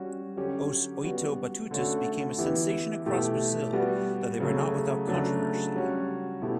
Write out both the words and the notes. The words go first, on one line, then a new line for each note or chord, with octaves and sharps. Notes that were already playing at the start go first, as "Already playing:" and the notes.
Os Oito Batutas became a sensation across Brasil, though they were not without controversy.
Already playing: G3 C#4 F#4
D3 F#3 C#4 G4
G3 B3 F#4
D3 A3 C#4 F#4
E3 B3 E4 G4
B2 A3 E4 G4
G3 B3 F#4
C#3 F#3 A3 C#4
C#3 F#3 A3 D4
G3 C#4 F#4
B2 A3 E4 G4